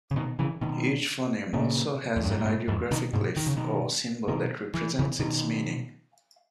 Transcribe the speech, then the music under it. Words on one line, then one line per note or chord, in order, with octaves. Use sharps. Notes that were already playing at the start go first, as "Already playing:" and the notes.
Each phoneme also has an ideographic glyph or symbol that represents its meaning.
C#3
B2 D#3
C#3 E3
B2 D#3
A#2 C#3
E2
G2
G#2
A#2
G#2 B2
E2 G#2
B2 D#3
G#2 B2
D#3
C#3
B2 D#3
B2 D#3
E3
C#3 E3
B2 D#3